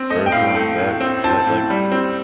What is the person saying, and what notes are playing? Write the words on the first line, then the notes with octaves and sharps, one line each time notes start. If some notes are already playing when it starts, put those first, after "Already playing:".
First one that that, like,
Already playing: C4
A3 D#5
G5
A2 F5
A3
A2
C4
C4 A5
A2
G3
C4